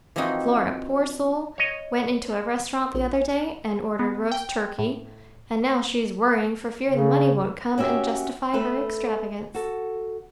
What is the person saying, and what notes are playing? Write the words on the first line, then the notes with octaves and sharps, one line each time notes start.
Flora, poor soul, went into a restaurant the other day and ordered roast turkey, and now she's worrying for fear the money won't come and justify her extravagance.
E3 F3 A#3 C4 D#4 F#4
C#5 D#5
A#1
B3
G5
A2
C#3
C#4 F#4 G4 E5
A3 A4 B4
F#4 A4